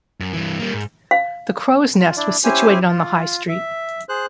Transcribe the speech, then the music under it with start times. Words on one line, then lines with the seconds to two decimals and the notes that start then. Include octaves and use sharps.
The Crows Nest was situated on the High Street.
0.20 F#2
0.33 G2 E3
0.59 G3 A#3
0.73 G#2
1.11 F5
2.00 F4
2.17 D4 E4 D5
2.44 C#4 E4 G4 C5 G#5
2.88 F4
3.49 E5
4.09 G#4 C5 F#6